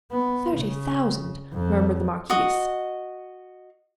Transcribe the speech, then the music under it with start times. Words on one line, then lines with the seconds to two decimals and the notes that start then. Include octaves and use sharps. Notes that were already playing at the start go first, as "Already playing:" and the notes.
"Thirty thousand," murmured the marquise.
0.11 B3
0.57 C#3
1.54 F2
2.30 F#4 D#5